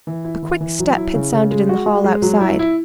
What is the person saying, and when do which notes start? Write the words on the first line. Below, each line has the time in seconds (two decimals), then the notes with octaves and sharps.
A quick step had sounded in the hall outside.
0.07 E3
0.24 E4
0.43 E3
0.61 E3
0.79 F#3
0.97 E4
1.14 C#3
1.32 C#3
1.51 G#3
1.69 F#4
1.86 G#3
2.04 G#3
2.22 F#3
2.41 E4
2.59 E4